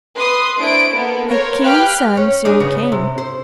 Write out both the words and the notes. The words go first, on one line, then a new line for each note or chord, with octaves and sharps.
A king's son soon came.
B4 C6 D#6
A3 D4 E4 C5 D7
A#3 B3 A4
A#4 C5 C#5
G4 B4 F5 G5 F6 F#6
C#4
D4 D#4 G#4
C#3 B3
C3
C5